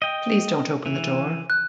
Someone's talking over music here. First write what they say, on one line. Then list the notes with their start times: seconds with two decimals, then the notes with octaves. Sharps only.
Please don't open the door.
0.02 D#5 G5
0.86 E3
1.50 F#6